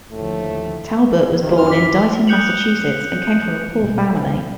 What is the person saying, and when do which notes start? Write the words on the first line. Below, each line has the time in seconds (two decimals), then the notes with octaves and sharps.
Talbot was born in Dighton, Massachusetts and came from a poor family.
0.12 D#2 A2 D3 F3 A3
1.41 D#2 C3 D#3
1.57 F#2 E3 E4 C6 F6
1.70 D6 B6
2.27 D#6 F#6 G6 C#7 F7 F#7
3.81 B2 G#3